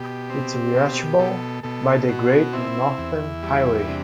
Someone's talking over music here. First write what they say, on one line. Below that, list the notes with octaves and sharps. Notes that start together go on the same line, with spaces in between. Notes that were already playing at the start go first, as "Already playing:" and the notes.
It is reachable by the Great Northern Highway.
Already playing: B2 G4
C4
B2
B2 A4
B2 A4
B2 F#4
C4 E4
E2
G3
C3 D4